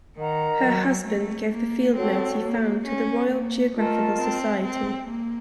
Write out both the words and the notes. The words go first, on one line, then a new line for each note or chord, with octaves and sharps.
Her husband gave the field notes he found to the Royal Geographical Society.
D#3 A#4 D#5 F#5 A#5
F#3
A3
A#3
C4 F#4 A4 C#5
A#3
C#4
A#3
A3 F4 A#4 D#5 A5
C4
C4
A#3